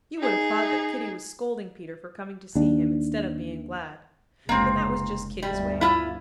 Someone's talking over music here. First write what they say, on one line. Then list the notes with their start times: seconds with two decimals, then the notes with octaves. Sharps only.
You would have thought that Kitty was scolding Peter for coming to see him instead of being glad. But that was just Kitty's way.
0.18 D#4 G#4
2.55 D#2 D4
4.49 F1 C#2 A#3 C4
5.43 G1 D2 G3
5.81 E4 F4